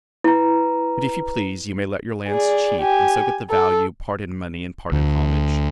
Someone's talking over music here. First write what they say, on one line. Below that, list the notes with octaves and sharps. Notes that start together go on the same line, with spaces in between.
But if you please you may let your lands cheap, and so get the value, part in money and part in homage.
E4 B4 A#5
G#4 D5
G4 G#5
A4
D2